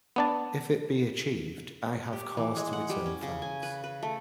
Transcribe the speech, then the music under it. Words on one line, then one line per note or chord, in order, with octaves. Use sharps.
If it be achieved, I have cause to return thanks.
B3 D4 A5
G4
E3
G#3
F#5
G3
C#4
C#3
G#5
B4
B4
A3